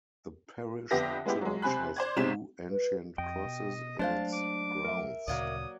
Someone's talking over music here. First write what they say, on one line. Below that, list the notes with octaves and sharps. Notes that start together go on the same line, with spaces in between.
The parish church has two ancient crosses in its grounds.
F2 D3 B3 G4 E5 A#6
G#3 B3 E4 G4
F#3 G#3
C3 C4 G#5 B5 F#6
C5 D5 G#6
B1 C3 G#3 C4 B6 E7
B4
F2 D#5 G5
B2
F#3 G#3 A3 D4 C5 F5 A5
D6
A#4 E5
D2 A#2 C#3 F#3 A#3 D5 D#6